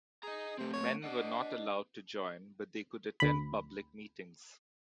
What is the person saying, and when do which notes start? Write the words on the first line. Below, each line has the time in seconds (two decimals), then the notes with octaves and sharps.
Men were not allowed to join but they could attend public meetings.
0.23 G#4 D#5 A#5
0.58 C3 A3 C4
0.73 C#5
1.04 D4 D#5 F#5
3.20 D2 B5